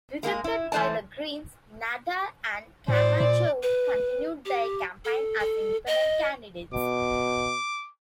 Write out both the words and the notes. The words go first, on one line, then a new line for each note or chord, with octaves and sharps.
Rejected by the Greens, Nader and Camejo continued their campaign as independent candidates.
G#3 A#3 D4 G#4
E4
G#2 E3 A3 C5 D5 A5
A2 C5 D5
A#2 D5
B4
G4
A4
A4
D#5
B2 D6